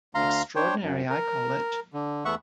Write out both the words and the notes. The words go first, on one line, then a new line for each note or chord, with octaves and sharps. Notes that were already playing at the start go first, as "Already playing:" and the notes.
Extraordinary, I call it.
D2 F5 A#5 C6
D4 C5 C#5 G5
F#2
A#4
D3
E2 A3 B3 E5 F#5 C#6